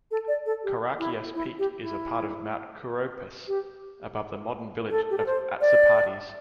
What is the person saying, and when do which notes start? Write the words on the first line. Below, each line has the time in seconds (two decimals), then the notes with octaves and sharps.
Korakias peak is a part of Mount Kouroupas, above the modern village of Atsipades.
0.11 A4
0.28 D5
0.46 A4
0.64 G4
0.99 E4
1.35 E4
1.59 G4
1.82 E4
3.48 G4
4.90 A4
5.10 G4
5.18 A4
5.26 C5
5.61 D5